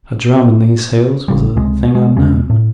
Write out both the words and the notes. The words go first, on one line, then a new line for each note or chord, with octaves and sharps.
A drum in these hills was a thing unknown.
G#1 C#3 G3
C#2 C3 G#3
G#3
E2 C3 G#3
A2